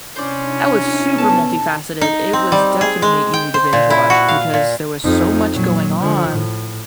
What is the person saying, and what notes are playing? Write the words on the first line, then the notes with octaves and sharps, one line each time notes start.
that was super multifaceted. It was definitely easy to binge-watch because there was so much going on,
C3 C#4 D4 E4 C5 D5
B3 A4 A5
D#4
C4
G3
G#4
G#3
G5
C5
A#2
E4
F#4
F5
A#2
F2 D#4
A#2 F#3
D3 F3
A2